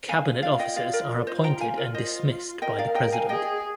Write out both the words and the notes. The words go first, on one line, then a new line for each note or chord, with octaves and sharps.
Cabinet officers are appointed and dismissed by the President.
F5 G#5
F4
D5 F5
D#5 G5
D5 F5
A#4 D5
F4 C5 D#5
G5 A#5
F5 G#5
A#4 D5
F4 C5 D#5
A#4 D#5 G5
D5 F5
D#5 G5
F5 G#5
G#4 D#5 G5